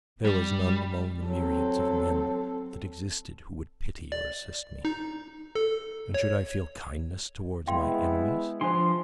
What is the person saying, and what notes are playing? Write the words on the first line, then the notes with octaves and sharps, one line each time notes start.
There was none among the myriads of men that existed who would pity or assist me; and should I feel kindness towards my enemies?
G3
F#3 C4 A4
D5
D#4
A4
C#5
G#3 B3 E4 F5 G5 C6
F3 D4 C5 C6